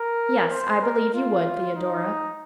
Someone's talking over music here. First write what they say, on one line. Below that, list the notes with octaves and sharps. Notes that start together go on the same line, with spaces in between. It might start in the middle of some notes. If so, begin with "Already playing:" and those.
"Yes, I believe you would, Theodora."
Already playing: A#4
C5
A#4
F4
D#4